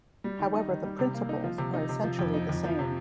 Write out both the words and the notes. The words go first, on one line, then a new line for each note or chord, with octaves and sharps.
However, the principles are essentially the same.
G3
D#3
D#4
D#3
G3
C3
A#3
D#4
F3
C3
D#4
C3
F3
F2
D#4
F2
F3
C3